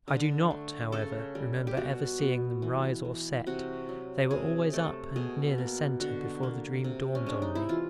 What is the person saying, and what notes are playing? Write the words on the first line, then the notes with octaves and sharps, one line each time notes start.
I do not, however, remember ever seeing them rise or set; they were always up and near the centre before the dream dawned on me.
D3
A3
C#3 A4
G3
G4
B2 F#4
B3
E3
E3
C3 F#4
F#3
C3 G#4
A3 A4
B2 G#4
A#3
D3 F#4
A#3
C3
C#4
G#3 D4
D#4
E4
E3 F4